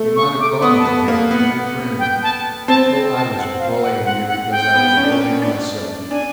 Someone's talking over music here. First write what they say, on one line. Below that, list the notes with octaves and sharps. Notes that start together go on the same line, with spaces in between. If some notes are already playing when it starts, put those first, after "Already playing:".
You might have gone with him, to make room---- Oh, I was bullying you because I was bullying myself!
Already playing: A3
C#6
D6
B3 D#6
A5
B3
A5
A#3
B3 F#5
G5
A5
C4 A5
A5
F#5
F5
F#5
F#5
F#5
G5
B3
C#4
D4
C#4
D4
D4 G#5